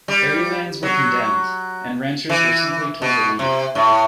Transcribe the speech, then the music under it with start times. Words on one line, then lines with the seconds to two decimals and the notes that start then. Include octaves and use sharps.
Area lands were condemned and ranchers simply told to leave.
0.08 G3
0.83 F#3
2.29 E3
3.02 B2
3.39 C3
3.75 A2